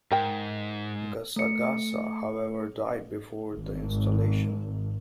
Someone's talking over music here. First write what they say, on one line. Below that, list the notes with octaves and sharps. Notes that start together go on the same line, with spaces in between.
Gasagasa, however, died before the installation.
G#2 A#4 G5
A3 C#7
G#1